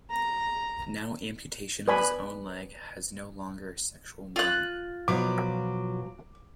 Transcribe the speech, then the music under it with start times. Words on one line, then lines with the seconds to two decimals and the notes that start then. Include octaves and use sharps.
Now amputation of his own leg has no longer a sexual meaning.
0.11 A#5
1.88 B4 D5 G#5 B5
4.36 F4 F#6
5.08 B2 F3 F#3 D6